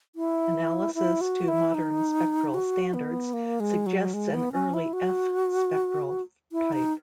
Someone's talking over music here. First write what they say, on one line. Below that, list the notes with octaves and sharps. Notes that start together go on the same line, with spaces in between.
Analysis to modern spectral standards suggests an early F spectral type.
E4
E4
F#4
E4
D#4
F#4
B3
A#3
G#3
F#3
G#3
B3
C#4
E4
F#4
E4
D#4